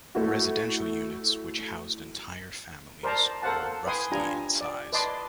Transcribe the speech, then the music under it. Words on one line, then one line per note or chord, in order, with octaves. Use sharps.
Residential units, which housed entire families, were roughly in size.
A3 E4 F#4
A#4 C5 D5 A5 A#5
A4 A#4 C5 F5 F#5 A5
B4 G5 G#5 C6 D#6
D4 F4 G4 G#5 A#5
D5
B4 D5 D#5 A5 C6 D6